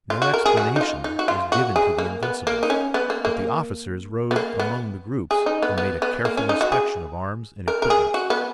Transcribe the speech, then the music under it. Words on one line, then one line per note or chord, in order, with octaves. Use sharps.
No explanation was given to the Invincibles, but the officers rode among the groups and made a careful inspection of arms and equipment.
F4
F#4
A#4
G#4
F#4
D#4
F4
D#4
F#4
F4
F#4
G#4
A#3
B3
A#3
D#4
C#4
B3
A#3
A#3
B3
A#3
B3
G#4
D#4
B3
B3
B3
A#3
C#4
D#4
F#4
G#4
A#4
A#4
G#4
F#4
B3